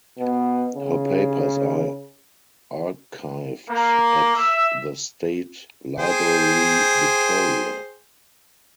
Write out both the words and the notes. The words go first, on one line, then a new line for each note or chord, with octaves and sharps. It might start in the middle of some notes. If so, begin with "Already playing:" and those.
Her papers are archived at the State Library Victoria.
B2
C#3
A#3
E5
G#4 C5 G5